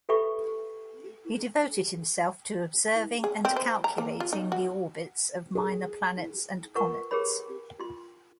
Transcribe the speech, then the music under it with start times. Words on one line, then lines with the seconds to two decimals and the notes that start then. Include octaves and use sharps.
He devoted himself to observing and calculating the orbits of minor planets and comets.
0.09 G4 A4 B4 E5 B5 C#6
3.24 G#4
3.45 C4
3.56 C5
3.84 A#5
3.98 A#3
4.20 F4
4.33 D#4
4.52 F#4
5.55 G#4
6.75 F4 A#4 B4 F#5 C#6
7.11 G4 G#4 A#4 B4 C#5 B5
7.80 F4 C6